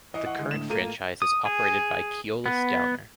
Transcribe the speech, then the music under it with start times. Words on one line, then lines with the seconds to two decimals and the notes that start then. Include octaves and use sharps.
The current franchise is operated by Keolis Downer.
0.14 E3 D#5
0.26 F#5 C#6
0.39 D3 G#3
0.51 A2 E7
0.70 A#3 F4 A4 A#4 D#7
1.22 D#6
1.46 G#4
2.46 B3